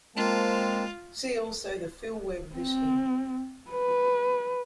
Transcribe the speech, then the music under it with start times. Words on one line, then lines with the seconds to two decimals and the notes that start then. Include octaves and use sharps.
See also the 'Philweb' listing.
0.16 G#3 A#3 C4 F4 A5
2.55 C4
3.70 B4